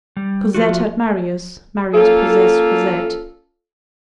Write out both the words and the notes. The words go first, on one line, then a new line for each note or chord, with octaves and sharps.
Cosette had Marius, Marius possessed Cosette.
G3
F3 F4 F#4
A#3 C#4 F4 A4